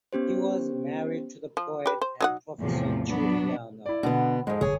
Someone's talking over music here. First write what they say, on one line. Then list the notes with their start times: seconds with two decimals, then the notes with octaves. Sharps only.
He was married to the poet and professor Judy Yarnall.
0.13 B3 C#4 G4 C5
1.57 F3
1.86 G4 B4
2.01 C5
2.21 F#3 D#4 F#5
2.60 E2 A2 C3 F3
3.05 F#3 B3 D4
3.86 E4 D5
4.03 B2 D3 B3
4.47 F2 G#2 G#3
4.61 G1 G#4 C#5